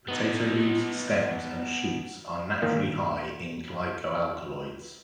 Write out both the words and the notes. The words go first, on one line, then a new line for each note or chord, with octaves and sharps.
Potato leaves, stems, and shoots are naturally high in glycoalkaloids.
B3 D#4
A#2 D#3